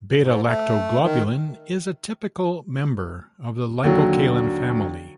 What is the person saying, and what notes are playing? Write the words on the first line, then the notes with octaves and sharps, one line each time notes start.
Beta-lactoglobulin is a typical member of the lipocalin family.
G#2
A3
D#3
D#2 D3 F#3